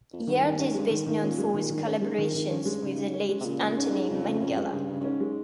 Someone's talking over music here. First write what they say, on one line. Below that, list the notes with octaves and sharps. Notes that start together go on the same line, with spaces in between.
Yared is best known for his collaborations with the late Anthony Minghella.
F2
G2 D#3
D#3
G2 C#4
G#2
G2 G#3
G#2 D#3
D#3
A#2 C#4
G#3
A#2 D#3
D#3
G2
G#2 C#4
G#3
F2 D#3
D#3
G2 C#4
G#3
G#2 C#3
C#3
C#4
G#3
C3
A#2 C#3
C#3
G#2 C#4
G#3
F2 C#3
C#3
F2 C#4
G#3
G2 C#3
C#3
G2
G#2 C#4
G#3